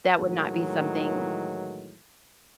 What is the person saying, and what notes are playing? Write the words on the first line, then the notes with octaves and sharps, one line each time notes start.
that would not be something
A2 D#3 E3 F#3 G#3